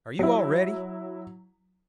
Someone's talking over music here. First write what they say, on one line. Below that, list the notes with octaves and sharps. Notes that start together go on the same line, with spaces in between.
Are you all ready?
F#3 E4